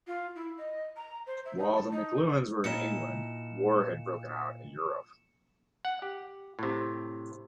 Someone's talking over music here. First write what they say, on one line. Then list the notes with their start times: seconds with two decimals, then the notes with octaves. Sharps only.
While the McLuhans were in England, war had broken out in Europe.
0.07 F4
0.36 E4
0.58 D#5
0.96 A#5
1.27 C5
1.45 E5
1.58 D#4
1.75 A5
1.92 D#4
2.64 A#2 D#4 E4 A4 C#7 E7
5.85 F#5
6.02 G4
6.59 A2 C3